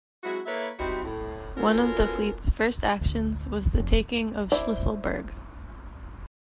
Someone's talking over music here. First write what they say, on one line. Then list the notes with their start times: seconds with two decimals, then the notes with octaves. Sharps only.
One of the fleet's first actions was the taking of Shlisselburg.
0.23 F#3 G#3 C4 E4 F#4
0.46 A#3 E4 A4 B4 C#5 E5
0.79 G3 C4 D#4 E4 F#4
1.04 A2
1.57 B3 C#4 F4 F#4 A4 A#4
3.01 D2
3.80 F1
4.52 E4 C5 D5 E5